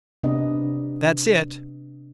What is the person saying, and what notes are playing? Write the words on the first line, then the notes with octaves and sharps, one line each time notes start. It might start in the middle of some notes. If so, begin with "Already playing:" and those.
"That's it."
C3 B3 D4 B4 D#5